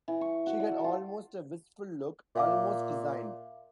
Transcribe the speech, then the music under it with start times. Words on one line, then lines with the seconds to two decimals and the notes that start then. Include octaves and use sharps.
She had almost a wistful look, almost resigned.
0.08 E3
0.21 C#6
0.47 F#4
0.60 D5
0.71 A4
0.84 F4
2.36 A#2 E5 F5 D6